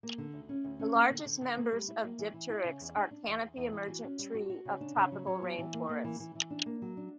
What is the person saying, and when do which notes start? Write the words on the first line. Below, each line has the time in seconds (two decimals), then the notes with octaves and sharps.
The largest members of "Dipteryx" are canopy-emergent tree of tropical rainforests.
0.03 A#3
0.18 D3
0.34 D2
0.49 C#4
0.64 D2
0.79 C#4
0.95 A#3
1.11 D3
1.26 D3
1.42 D3
1.57 A#3
1.73 G3
1.88 E4
2.04 A#3
2.19 E3
2.34 E3
2.50 E4
2.64 C#3
2.81 E2
2.96 D4
3.11 D4
3.27 E2
3.42 E2
3.57 E2
3.73 E3
3.88 F#4
4.04 C#4
4.19 G3
4.34 F#4
4.50 F#4
4.65 C#3
4.81 D4
4.96 C#3
5.12 F#3
5.27 F#3
5.42 B3
5.59 E3
5.74 A#3
5.89 A#3
6.04 E3
6.20 E3
6.35 E3
6.50 D4
6.66 A#3
6.82 F#3
6.97 D4